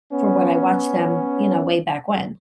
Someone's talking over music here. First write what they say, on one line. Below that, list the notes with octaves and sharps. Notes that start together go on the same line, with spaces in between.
from when I watched them, you know, way back when.
B3 C#4